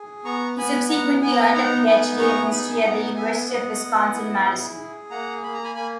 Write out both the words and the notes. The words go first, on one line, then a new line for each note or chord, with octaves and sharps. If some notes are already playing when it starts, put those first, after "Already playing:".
He subsequently earned a Ph.D. in history at the University of Wisconsin-Madison.
Already playing: G#4
B3 A#5 C#6
B3 G#5 B5
B3 F#5 A#5
B3 G#5
A#5
E5 G#5
D#4 F#5 A#5
B3 G#5 B5
G#4 A#5 C#6
D#4 G#5 B5
B5
B3 F#5 A#5
B3 E5 G#5
B3 D#5 F#5
B3
E4
G#4
G#4
A#3 F#5 A#5
A#3 B5
A#5
G#5 B5
A#3 G#5 B5